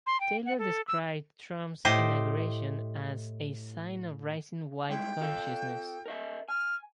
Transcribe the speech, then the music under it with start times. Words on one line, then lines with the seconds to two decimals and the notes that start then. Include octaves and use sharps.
Taylor described Trump's inauguration as "a sign of rising white consciousness".
0.07 C6
0.20 G5
0.46 F#5
0.58 A4
0.88 E6
1.85 A2 G4 C5 D#5
4.89 G2 G#3 E4 G5
5.21 F4 A4 F5
6.06 A#4 D#5 E5
6.49 G#5 F6